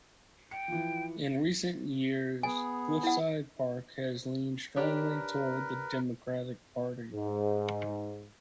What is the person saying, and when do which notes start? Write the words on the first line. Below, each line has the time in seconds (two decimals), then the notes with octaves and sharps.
In recent years, Cliffside Park has leaned strongly toward the Democratic Party.
0.51 G5 C#7
0.68 E3 F3
2.43 B3 G#4 G#5
3.03 E4 F#5
4.76 D4 G4 A#4 B4 C#5
7.13 G#2